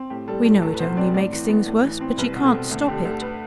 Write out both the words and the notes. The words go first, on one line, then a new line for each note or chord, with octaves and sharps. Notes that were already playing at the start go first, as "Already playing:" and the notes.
"We know it only makes things worse, but she can't stop it."
Already playing: C4
A2 G4
G3 A4
A2 A4
E2 A4
B4
B2 C5
C4 D5
A2 D5
E3
B3
A2
E3
C4
C2 B4
B2
A4
C4
D2
D3 G4
D2 A4
B4